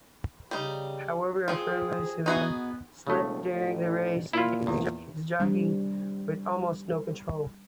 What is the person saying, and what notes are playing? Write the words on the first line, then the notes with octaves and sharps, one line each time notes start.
However, Affirmed's saddle slipped during the race, leaving his jockey with almost no control.
C#3 G3 D#4
F3 C4 G#4
B3 D#4 F#4 G#4
E1 C#3 A3
A1
A#2 E4 F4
E2
D#3 G3 C4 D4